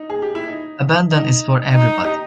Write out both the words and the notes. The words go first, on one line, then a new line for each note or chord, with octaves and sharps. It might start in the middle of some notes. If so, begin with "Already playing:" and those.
Abandon is for everybody.
Already playing: D#4
G#4
G4
E4
D#4
D#4
D#4
G4